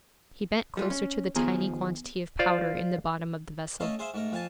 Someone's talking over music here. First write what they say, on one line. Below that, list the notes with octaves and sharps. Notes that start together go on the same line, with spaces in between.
He bent closer to the tiny quantity of powder in the bottom of the vessel.
G3 G#3 F4
C#4
D#2 F3 B3 G#4
F4 C5 D5 F5
A3 C#4 A4 D#5 F5
G#4 C5 E5 F5
G#2 A3 A#4
F2 F5 G#5 A5